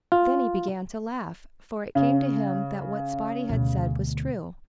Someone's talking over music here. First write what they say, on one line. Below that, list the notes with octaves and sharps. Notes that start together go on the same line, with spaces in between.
Then he began to laugh, for it came to him that what Spotty had said was true.
F4
C#3
D2 B2